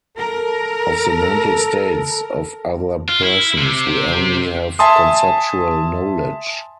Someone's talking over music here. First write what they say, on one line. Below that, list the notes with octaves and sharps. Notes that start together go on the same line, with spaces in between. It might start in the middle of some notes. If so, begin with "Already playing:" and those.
Of the mental states of other persons we only have conceptual knowledge.
A4 A#4
F4
E4
C3
E5 G#5 A5 C6 D#6